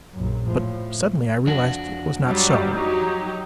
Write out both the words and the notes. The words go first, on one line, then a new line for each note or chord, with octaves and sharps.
But suddenly I realized it was not so.
A#1 F#2
A2 F3
F2 D4 F#4
F#3 G3
F#3 D#4 G4